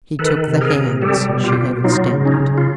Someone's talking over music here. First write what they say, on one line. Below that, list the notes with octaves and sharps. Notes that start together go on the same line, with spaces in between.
He took the hands she had extended.
D#3 A4 B4
C3
G#4 A#4
C3
G3 G4 A4
B2
F4 G4
B2
F#3 D#4 F4
C#3
C#4 D#4
C#3
F4